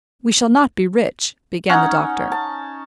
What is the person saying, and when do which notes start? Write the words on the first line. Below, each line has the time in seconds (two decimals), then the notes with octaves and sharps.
"We shall not be rich--" began the doctor.
1.70 C#4 D#4 F#5
2.32 A5